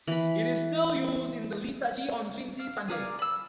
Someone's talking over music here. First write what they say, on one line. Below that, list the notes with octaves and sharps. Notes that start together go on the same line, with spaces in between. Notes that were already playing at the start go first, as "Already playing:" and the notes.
It is still used in the liturgy on Trinity Sunday.
E3 B5
F5
G#4 A#4 D5 F5
B5 E6